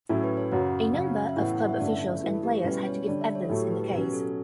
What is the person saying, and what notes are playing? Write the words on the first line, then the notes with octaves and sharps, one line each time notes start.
A number of club officials and players had to give evidence in the case.
A2 F#3 C#4 E4 A4
B4
C#5
F#2 C#3 F#3 C#4 F#5
C#3 F#3 C#4
E5
A2 E3 B3 E4 F#5
F#5
E5
G2 D3 A3 C#4 E4 D5
E5
G2 E3 A3 E4
A4
G4
B2 G3 C#4 E4 B4
C#5
D3 G3 D4 D5
E5
C#5
A4
A2 F#3 A3 G4
G4
B4
G4
B2 F#3 C#4 G4
A4